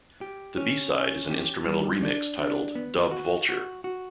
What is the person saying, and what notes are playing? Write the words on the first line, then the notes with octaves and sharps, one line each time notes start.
The B-side is an instrumental remix titled "Dub-vulture".
G4
C#4
C#4
G4
G3
D4
D4
B3
F#4
F#4
F#4